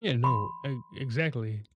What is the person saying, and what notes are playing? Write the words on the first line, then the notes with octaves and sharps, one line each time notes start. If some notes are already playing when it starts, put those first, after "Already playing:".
Yeah, no, e exactly.
B5 C6